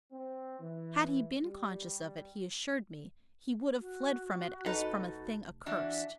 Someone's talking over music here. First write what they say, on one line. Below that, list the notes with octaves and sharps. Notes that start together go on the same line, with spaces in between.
Had he been conscious of it, he assured me, he would have fled from it as from a thing accursed.
C4
E3
G3
F#4
F1 D#4 A4 B4
E3 D4 F#4 E5